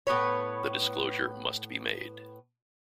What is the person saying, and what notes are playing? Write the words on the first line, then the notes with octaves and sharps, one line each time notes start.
The disclosure must be made.
A2 B3 B4 C#5